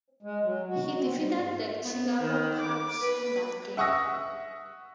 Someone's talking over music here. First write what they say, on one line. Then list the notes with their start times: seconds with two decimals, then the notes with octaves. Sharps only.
He defeated the Chicago Cubs in that game.
0.23 G#3
0.44 F#3
0.68 F#4
0.85 D#4
0.99 C4
1.16 G3
1.35 G#2
1.84 B3
2.21 D#3
2.62 D6
3.00 B4
3.77 E5 F#5 C#6 D#6 E6 A#6